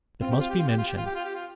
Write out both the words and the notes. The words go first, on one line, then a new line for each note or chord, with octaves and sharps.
'It must be mentioned.
C4 F4
G4
F4
G4
F4
G4
F4
G4
F4
G4
F4
G4
F4